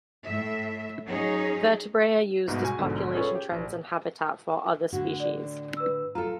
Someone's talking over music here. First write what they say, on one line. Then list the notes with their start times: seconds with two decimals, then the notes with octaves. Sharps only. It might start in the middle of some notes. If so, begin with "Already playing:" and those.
Vertebrate are used as population trends and habitat for other species.
0.25 A2 E5
1.05 F#3 C#4 D#4 G#4 C#5
2.47 C2 G#2 B2
2.62 F#4 G#5
2.78 A#1 G#2 B2 D3
3.14 C#4 F4 G#4 A4 B4 C#5
3.35 G4
3.51 A#1
4.92 A2 D3 F#4
5.20 D5
5.77 B4 E6
6.15 F4 A4 A#5